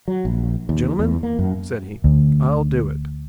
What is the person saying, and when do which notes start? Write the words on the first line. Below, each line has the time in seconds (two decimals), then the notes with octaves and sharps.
"Gentlemen," said he, "I'll do it!"
0.08 F#3
0.25 A#1
0.69 D#2
0.99 E2
1.23 A#3
1.39 F#2
2.04 D2